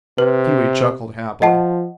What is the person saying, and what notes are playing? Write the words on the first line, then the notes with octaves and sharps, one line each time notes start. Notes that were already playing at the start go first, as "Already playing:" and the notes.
Pewee chuckled happily.
C3 B4
F3 D#5 F#5 A5